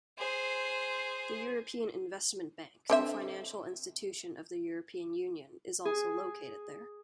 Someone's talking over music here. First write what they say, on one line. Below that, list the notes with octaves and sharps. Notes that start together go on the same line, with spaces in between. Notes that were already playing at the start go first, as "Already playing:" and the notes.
The European Investment Bank-the financial institution of the European Union-is also located there.
G#4 C5
D3 C4 E5
G#4